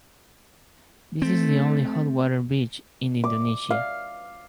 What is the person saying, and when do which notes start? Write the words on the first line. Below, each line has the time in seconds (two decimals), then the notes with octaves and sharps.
This is the only hot water beach in Indonesia.
1.22 A3 C4
3.24 D6
3.71 F5